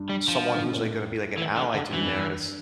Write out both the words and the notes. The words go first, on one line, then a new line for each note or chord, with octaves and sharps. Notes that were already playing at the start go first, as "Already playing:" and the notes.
someone who's, like, gonna be, like, an ally to Daenerys,
Already playing: G2
G3
F3
D3
C#3
A#2
A2
E3
D3
D3
G2 E3
F2
G2